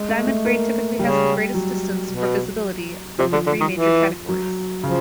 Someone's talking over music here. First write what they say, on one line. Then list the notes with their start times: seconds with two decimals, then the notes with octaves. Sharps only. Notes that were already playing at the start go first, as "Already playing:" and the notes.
Diamond grade typically has the greatest distance for visibility of the three major categories.
Already playing: G#3
0.09 A3
0.27 A3
0.45 A#3
0.99 C#3 G3
1.54 F#3
2.09 B2
3.18 C3 F3
3.32 D3
3.46 D3
3.60 D#3
3.73 E3
4.29 F#3
4.83 C#3 F3